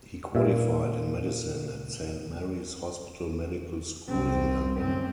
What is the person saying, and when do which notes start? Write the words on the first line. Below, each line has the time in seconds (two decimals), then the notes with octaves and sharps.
He qualified in medicine at Saint Mary's Hospital Medical School in London.
0.35 A#2 E5
4.07 C2 C4
4.79 F#2 C4